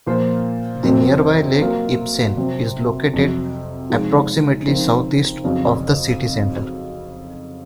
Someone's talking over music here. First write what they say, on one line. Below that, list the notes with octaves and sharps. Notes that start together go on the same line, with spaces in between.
The nearby Lake Ibsen is located approximately south-east of the city center.
A#2 F3 A#3 F4 C5
F2 C3 F#3 C4
F#3 A#3 F4 A#4
C3 F#3 C4
F2 C3 F#3
C3 F3 G#3 D#4 G#4
C#3 F3 C4 D#4 A#4
F2 C#3 F#3